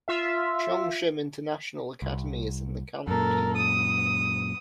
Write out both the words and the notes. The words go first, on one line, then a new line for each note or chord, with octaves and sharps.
Cheongshim International Academy is in the county.
F4 E5
C2
F#2 A#2 A4 A#4
D#6